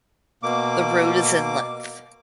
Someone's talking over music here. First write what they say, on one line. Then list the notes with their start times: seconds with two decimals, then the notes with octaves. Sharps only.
The road is in length.
0.43 B2 A#3 D6